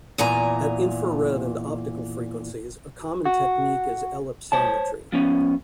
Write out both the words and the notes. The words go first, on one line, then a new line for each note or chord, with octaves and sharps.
At infrared and optical frequencies, a common technique is ellipsometry.
E2 A#2 G#5 A#5
F#4
C5 C#5 A5
F3 B3 C#4